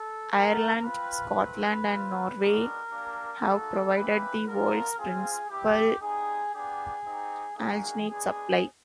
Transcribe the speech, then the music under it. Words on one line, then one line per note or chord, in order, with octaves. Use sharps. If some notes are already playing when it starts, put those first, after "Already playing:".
Ireland, Scotland and Norway have provided the world's principal alginate supply.
Already playing: A4
B3 D4 F#4 A#4
C4 F4 B4
A3 C4 F4
C4 F4
G#3 B3 D4 F#4 A#4
A#3 D4 G4
A#3 D#4 F#4 A4
A#3 C#4 E4 G4 B4
B3 D4 F4 A#4
C4 F4 G#4
G3 B3 E4 G4
G3 C4 D#4 G#4
B3 D4 G4 G#4
C4 D#4 G4
G3 A#3 D#4 F#4 G#4
G#3 B3 D4 G#4